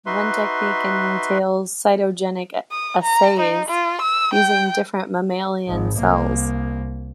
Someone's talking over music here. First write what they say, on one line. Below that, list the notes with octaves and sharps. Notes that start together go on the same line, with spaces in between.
One technique entails cytogenetic assays using different mammalian cells.
D#4 F#4 B4 E5 C6
D#6
A#5
D#4
F4
E6
G5
G#1 G#2
C2 A#3